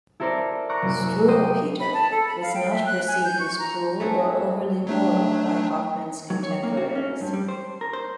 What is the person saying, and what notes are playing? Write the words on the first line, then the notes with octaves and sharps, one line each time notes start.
"Struwwelpeter" was not perceived as cruel or overly moral by Hoffmann's contemporaries.
E4 A4 A#4 C5 D5
A#5 C#6 D6 F#6
F#1 C2
C5 D#5 G5 D6 D#7
B5
A5
A4
B5
F5
G5
E5
F#6
G#5
G6
C#6
A#5
A3 F#4 G#4
F#3 A3 D4
F#3
C#5
A#3
F#4
C#4
G2
G3
C5
A#4
C5